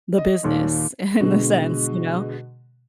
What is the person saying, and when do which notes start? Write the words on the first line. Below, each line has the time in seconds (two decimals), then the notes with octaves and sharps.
the business in the sense, you know?
0.18 D#5
0.43 D#2 A#2 D#3
1.20 B2 D3 G#3